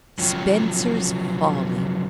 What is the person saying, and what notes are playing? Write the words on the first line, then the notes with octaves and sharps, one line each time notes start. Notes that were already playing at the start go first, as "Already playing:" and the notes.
Spencer's Folly!
C#3 F3 F#3 F4 C#5 G5